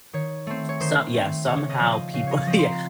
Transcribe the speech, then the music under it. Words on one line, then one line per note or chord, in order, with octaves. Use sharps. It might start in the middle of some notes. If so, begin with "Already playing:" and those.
So Yeah, somehow people yeah
D#3 C#5
A3 C4
C#5
D#3 C5
A3 C4
C#3 C#5
D#5
F3 C4
D#5
C#3 F5
C#5 D#5
F3 C4 D#5
A#5 C6